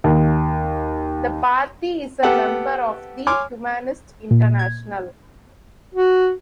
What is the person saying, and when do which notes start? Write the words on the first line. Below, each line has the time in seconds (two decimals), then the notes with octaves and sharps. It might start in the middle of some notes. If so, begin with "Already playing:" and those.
The party is a member of the Humanist International.
0.04 D#2
2.23 B3 G4 A4 F#5 G5 A5
3.27 C#5 G#5 C6 D6 F6
4.31 A#2
4.59 G#6
5.95 F#4